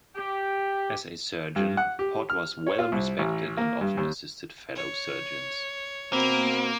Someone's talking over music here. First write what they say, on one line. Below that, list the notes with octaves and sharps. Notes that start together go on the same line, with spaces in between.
As a surgeon, Pott was well respected and often assisted fellow surgeons.
G4
G2
F#5
G4
F6
C#5
F4
C2
A1
A#3
G2
D#2
C#5
B2 A#3 C4 A#4 B5